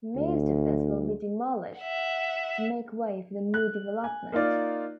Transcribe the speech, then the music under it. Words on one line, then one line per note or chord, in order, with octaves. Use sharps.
Most of this will be demolished to make way for the new development.
D2
E5 F#5
F#6
G#5
A#3 D#4 F4 D5